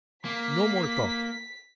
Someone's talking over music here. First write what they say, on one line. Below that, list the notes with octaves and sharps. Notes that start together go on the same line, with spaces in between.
No more talk!
A#3 B6